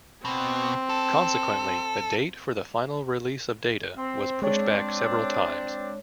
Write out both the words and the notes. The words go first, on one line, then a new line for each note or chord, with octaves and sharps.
Consequently, the date for the final release of data was pushed back several times.
B2 C4
A4
C4
G#3 C4 D4 C#5